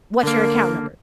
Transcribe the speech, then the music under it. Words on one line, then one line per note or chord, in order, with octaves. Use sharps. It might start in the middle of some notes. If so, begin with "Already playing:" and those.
What's your account number?"
D3 A#3 A#4